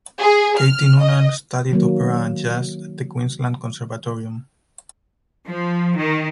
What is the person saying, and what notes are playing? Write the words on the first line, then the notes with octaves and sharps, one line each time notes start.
Katie Noonan studied opera and jazz at the Queensland Conservatorium.
G#4
F6
D#5
D#3 F#3 A#3
F3
D#3